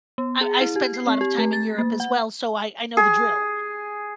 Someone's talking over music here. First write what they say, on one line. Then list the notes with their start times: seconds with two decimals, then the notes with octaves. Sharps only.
I I spent a lot of time in Europe as well, so I I know the drill.
0.18 B3
0.41 G#4
0.61 E4
0.76 G4
0.94 C7
1.07 C4
1.21 G4
1.38 A3
1.53 A6
1.78 A#3
2.00 F#5
2.97 G#4